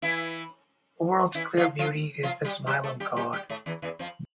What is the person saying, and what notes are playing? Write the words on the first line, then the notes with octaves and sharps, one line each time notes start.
The world's clear beauty is the smile of God.
E3 E4
E3 E4
F3 F4
F3 F4
F3 F4
G3 G4
G3 G4
A3 A4
G3 G4
G3 G4
G3 G4
A2 A3
E2 E3
E2 E3
F2 F3